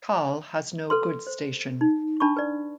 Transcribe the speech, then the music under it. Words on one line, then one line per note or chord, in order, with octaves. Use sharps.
Kahl has no goods station.
A4 B4 C6
C5
D#4
D4 A5 B5 C#6
B4 D5